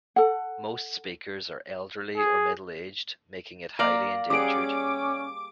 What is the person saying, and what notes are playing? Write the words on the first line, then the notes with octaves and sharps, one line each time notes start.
Most speakers are elderly or middle-aged, making it highly endangered.
A4 F#5
G#4
A#3 D5 F5 A#5
G3 C#4 G#4 F#5 D6 D7